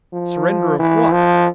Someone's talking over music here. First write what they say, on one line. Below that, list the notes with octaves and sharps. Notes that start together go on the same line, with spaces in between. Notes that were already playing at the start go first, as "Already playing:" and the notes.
Surrender of what?
F3
E3
F3